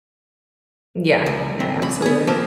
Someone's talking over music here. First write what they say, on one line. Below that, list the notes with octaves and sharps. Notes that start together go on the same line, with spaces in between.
Yeah. No, absolutely.
C#2
C4
C#2 B5
B3 G#4
F3 A#3 C4